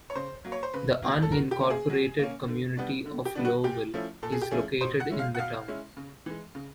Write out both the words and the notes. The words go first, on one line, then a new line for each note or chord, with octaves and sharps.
The unincorporated community of Lowville is located in the town.
C#5
C#3 C5
F#3 A#3
C#5
C5
C#3 B4
F#3 A#3
A4
F#3 A#4
G4
A#3 C#4
G#4
F#3
A#3 C#4
D3
G3 B3 D4
D3
G4
G3 B3 D4
F#4
A#2 G4
F3 A3 C#4 E4
A#2 A4
G#4
G4
F3 A3 C#4 E4 G#4
B2 C5
F#5
G#3 C#4 E4
F5
F#5
B2 F5
G#3 C#4 E4
C#3
E3 G#3
C#3